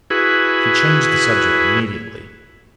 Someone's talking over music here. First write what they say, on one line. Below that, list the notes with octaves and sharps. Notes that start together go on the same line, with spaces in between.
She changed the subject immediately.
E4 F#4 G#4 B4